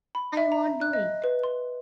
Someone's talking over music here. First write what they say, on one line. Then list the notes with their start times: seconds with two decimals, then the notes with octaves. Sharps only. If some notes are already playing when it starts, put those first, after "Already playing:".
I won't do it!
0.15 B5
0.37 E5
0.52 A#5
0.81 F#6
0.93 D#5
1.24 B4
1.44 C6